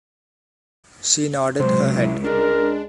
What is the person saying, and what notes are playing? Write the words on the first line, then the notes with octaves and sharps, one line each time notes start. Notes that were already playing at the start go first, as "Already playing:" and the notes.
She nodded her head.
C#2 C3 F#3 C5
E4
G#3 D4 A#4